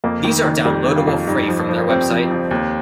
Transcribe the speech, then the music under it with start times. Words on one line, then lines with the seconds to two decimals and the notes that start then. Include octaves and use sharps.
These are downloadable free from their website.
0.04 F2 A#3
0.24 D#3
0.45 D#3
0.65 F2 G3
0.85 D#3
0.96 F4
1.07 F2
1.27 G2 D#4
1.48 F3
1.69 F3
1.89 F3 C4
2.10 F3
2.31 F3
2.51 D#2